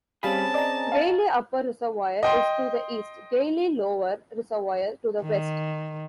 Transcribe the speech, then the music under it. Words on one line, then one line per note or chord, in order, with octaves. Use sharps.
Gailey Upper Reservoir is to the east; Gailey Lower Reservoir to the west.
G3 C4 C#4 G#4 F5 A5 B5
D5 D#5 G#5 A#5
F5 A5 A6
D#5 G5 C6
D#3